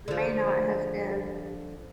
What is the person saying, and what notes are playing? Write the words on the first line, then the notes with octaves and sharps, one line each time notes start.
may not have been
D3 F3